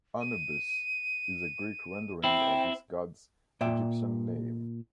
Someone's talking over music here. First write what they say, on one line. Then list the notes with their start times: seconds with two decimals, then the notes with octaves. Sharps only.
"Anubis" is a Greek rendering of this god's Egyptian name.
0.21 D#7
2.24 C4 E4 G5
3.61 A#2 D5 E5 G5